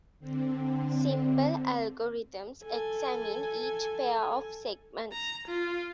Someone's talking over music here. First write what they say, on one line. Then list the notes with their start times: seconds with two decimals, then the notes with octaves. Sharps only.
Simple algorithms examine each pair of segments.
0.20 D3 C4
2.64 A4 G#5
5.13 A#5
5.47 F4